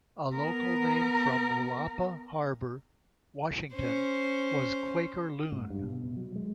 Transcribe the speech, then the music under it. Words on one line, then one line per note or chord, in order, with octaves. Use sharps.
A local name from Willapa Harbor, Washington was "Quaker loon".
B3 A#4
C#4 C5
G#2
G2
B2
B2
F#3
G#3